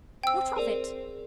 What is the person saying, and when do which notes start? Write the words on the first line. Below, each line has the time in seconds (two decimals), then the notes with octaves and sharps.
"What of it?"
0.23 C4 G5 E6
0.56 G#4 A#4 D5